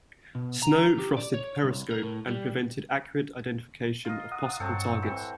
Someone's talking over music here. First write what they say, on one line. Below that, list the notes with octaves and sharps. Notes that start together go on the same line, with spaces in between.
Snow frosted the periscope and prevented accurate identification of possible targets.
B2
A#5
G4
D5
C#5
C2
A#4
A2
G3
F4 A#4 D#5
F#5 D#6
G2 F#3 C4 A4
E3 C4